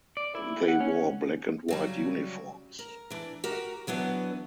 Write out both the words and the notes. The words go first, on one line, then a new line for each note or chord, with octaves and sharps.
They wore black and white uniforms.
D5
E4
F#5
C#4
C#3 F#3 G3
A#4
E3 D4
F#4 G4 A#4
E3 F#3 B3 D4